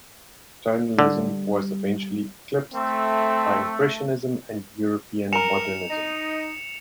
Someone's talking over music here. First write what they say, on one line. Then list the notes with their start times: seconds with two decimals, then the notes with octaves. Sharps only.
Tonalism was eventually eclipsed by Impressionism and European modernism.
0.99 D3 G3
2.74 A3 C4
5.33 A#4 G#5 A#5 C#7 E7 F7
5.90 D#4